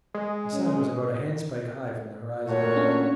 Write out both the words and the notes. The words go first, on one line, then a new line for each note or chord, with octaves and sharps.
The sun was about a handspike high from the horizon.
G#3
C#4
A#2 A3 A#3 F#4 C#5
C#4 D4